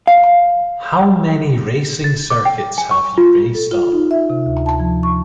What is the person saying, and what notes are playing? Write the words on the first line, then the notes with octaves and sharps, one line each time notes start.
How many racing circuits have you raced on?
F5
A6
D6
G5
G#5
C#6
F4
A4
F4
D#4
E5
C3
D2
A5
F3
C#6